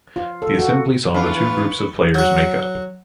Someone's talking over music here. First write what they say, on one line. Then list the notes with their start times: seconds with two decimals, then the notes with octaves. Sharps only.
The assembly saw the two groups of players make up.
0.16 F4
0.42 A4
0.59 F#4
1.14 E2 D4 F4 B4 B5 C#6 A6
2.14 F#3 F#4